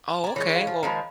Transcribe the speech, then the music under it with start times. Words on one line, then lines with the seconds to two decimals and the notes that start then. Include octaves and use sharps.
Oh, okay. Well
0.24 D5 G#5 A#5
0.36 E3 G#3 C#4 C#5
0.55 F5
0.67 F3
0.83 D#3 F3 G#3 A#5 B5